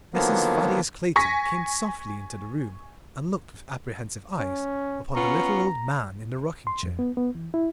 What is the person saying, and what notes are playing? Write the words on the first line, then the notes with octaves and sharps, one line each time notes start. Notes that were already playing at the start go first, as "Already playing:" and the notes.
Mrs. Thaddeus Clayton came softly into the room and looked with apprehensive eyes upon the little old man in the rocking-chair.
D3 D#3 F3 F#3 A#3 B3
G#5 C#6 A#6 B6
C#4
B3 C#4 F4 A#5
C6
F2
B3
B3
E3
E4